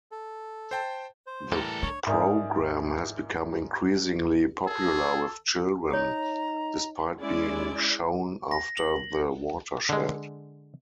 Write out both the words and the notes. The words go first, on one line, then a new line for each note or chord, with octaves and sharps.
The programme has become increasingly popular with children, despite being shown after the watershed.
A4
C5 G5 A5
C5
A2 E3 G3 A4 A#4
D4 C#5
G#2 A#4 D5 E5 G#5 D#6
G#4 A4
D#4 C#5 A#5 D#6
G#3 C#4 E4 D5
A#6
F#7
D3 G#3